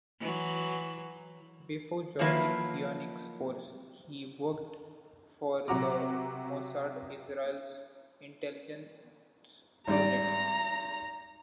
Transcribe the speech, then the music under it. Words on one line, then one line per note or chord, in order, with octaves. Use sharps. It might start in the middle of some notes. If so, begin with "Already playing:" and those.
Before joining Phoenix Force, he worked for the Mossad, Israel's intelligence unit.
E3 F#3
D#3 F3 F#3 A#3 E4 B4
C3 F#3 F#4 A#5 D6
G#1 G3 D5 A#5